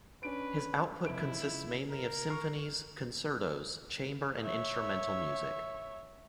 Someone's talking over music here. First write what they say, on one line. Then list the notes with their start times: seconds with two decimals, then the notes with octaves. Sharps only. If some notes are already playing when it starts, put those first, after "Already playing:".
His output consists mainly of symphonies, concertos, chamber and instrumental music.
0.23 C#4 D4 B4 D7
1.06 F1 E4 D7
1.42 C#2 C#3 E7
1.90 A#4
2.30 C#6 F6 C7
4.42 C#5 E5